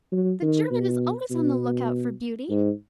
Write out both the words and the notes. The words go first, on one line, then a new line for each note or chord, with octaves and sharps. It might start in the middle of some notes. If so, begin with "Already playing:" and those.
The German is always on the lookout for beauty.
F#3
D#3
B2
B2
G#2